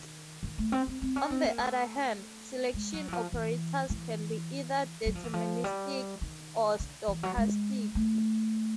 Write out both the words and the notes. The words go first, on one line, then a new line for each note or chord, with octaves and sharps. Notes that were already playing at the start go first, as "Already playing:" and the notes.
On the other hand, selection operators can be either deterministic, or stochastic.
Already playing: D#3
D#3
A3
C4
C4
C4
C#4
C4
A#3
A3
G#3
F#3
E3
F3
E3
E3
F#3
F3
E3
F3
G3
D#3
D3
E3
F#3
G#3
A3